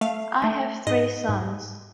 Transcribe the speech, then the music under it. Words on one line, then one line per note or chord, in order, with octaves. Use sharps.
I have three sons.
A3 F5
A3
G#2 D#5
G#2